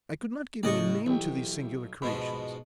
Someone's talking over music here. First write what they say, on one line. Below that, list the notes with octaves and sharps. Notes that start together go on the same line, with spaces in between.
I could not give any name to these singular creations.
A2 C#3 D5 D#5 C#6
B1 E3 G4
G#2 B2 F3 B5